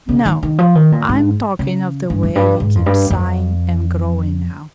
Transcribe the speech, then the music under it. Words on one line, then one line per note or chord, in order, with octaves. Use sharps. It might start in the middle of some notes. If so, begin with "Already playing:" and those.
No, I'm talking of the way you keep sighing and groaning now.
C#3
D#3
D#3
F3
D#3
A#2
G#2
C#3
G2
F2
G2
G#2
F2
G2
F2